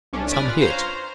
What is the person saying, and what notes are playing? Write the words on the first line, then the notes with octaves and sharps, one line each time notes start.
Some hit!
C2 C#4 D4
B4 D5 G#5 B5 D#6 F6
F4 B4
C5 C#5 F5 A#5
C5